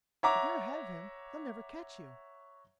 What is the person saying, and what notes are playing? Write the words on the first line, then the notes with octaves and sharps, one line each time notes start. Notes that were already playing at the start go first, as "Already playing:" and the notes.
If you're ahead of him they'll never catch you.
C#5 E5 F#5 A#5 D6